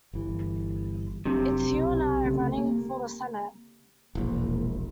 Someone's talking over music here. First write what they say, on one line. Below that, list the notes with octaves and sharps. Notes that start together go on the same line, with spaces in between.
It's you and I running for the Senate.
G1 E3
F1 C3 F#3 D4
B1
C#3 A3
A#3
E1 A#1